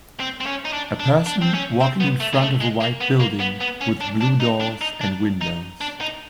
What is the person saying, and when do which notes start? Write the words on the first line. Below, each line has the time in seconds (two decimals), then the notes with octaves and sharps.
A person walking in front of a white building with blue doors and windows.
0.20 C4
0.41 C4
0.46 C#4
0.65 D#4
0.73 D4
1.00 D4
1.27 D4
1.42 C4
1.54 C#4
1.81 C4
2.00 B3
2.20 A3
2.33 G#3
2.41 A3
2.61 G#3
2.81 A#3
3.01 B3
3.20 A#3
3.40 B3
3.61 B3
3.81 C#4
4.01 D4
4.21 D4
4.40 D#4
4.61 D4
4.81 D#4
5.01 D4
5.41 D#4
5.81 D4
6.01 D#4